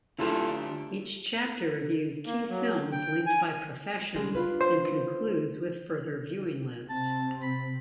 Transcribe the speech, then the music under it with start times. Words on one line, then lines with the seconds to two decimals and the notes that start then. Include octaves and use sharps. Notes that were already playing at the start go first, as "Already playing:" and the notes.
Each chapter reviews key films linked by profession and concludes with further viewing list.
0.19 D3 A3 D4 E4 F4 G4 A4 A5
2.26 A#3
2.50 F#3
2.92 G5
3.26 G#5
4.15 G3 G#3 G#4
4.35 D4 F4 B4
4.61 C5
6.90 C3 C4 A5
7.43 B5